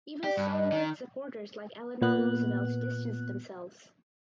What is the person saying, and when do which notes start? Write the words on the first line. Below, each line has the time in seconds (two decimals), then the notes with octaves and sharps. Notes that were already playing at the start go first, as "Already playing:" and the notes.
Even "stalwart supporters" like Eleanor Roosevelt distanced themselves.
0.24 G4 D5
0.37 G2
0.52 D#5
0.72 D#3
2.02 A#2 B3 F#6